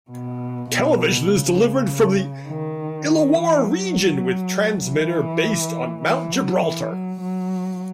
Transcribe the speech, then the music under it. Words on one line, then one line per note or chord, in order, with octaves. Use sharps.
Television is delivered from the Illawarra region with transmitter based on Mount Gibraltar.
B2
B2
C#3
D#3
D#3
E3
F#3
E3
E3
F#3
E3
F#3
F#3